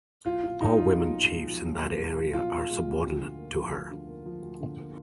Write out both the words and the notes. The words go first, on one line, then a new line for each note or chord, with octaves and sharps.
All women Chiefs in that area are subordinate to her.
B1 F4
A#2 F4
G#3 D#4
F3 F4
B1
A#2
G#3
F3
B1
A#2
G#3
F3
B1 F4
A#2
G#3
F3
D2
D3
A#3
F3
D2
D3
A#3
F3
D2
D3
A#3